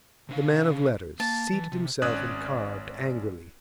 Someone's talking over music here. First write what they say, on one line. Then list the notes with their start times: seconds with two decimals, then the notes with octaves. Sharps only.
The man of letters seated himself and carved angrily.
0.29 C3 D4 F5
1.20 A#3 A5
1.53 E3
1.72 C3
2.02 G#1 C#4 D5 D#6 F#6 G#6